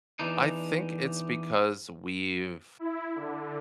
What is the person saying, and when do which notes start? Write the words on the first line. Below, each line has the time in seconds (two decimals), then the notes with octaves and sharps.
I think it's because we've
0.19 E2 E3 D4 D#4
2.79 E4
3.15 D3